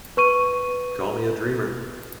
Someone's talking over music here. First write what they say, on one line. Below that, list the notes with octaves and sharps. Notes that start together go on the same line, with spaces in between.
Call me a dreamer.
B4 C#6 D#7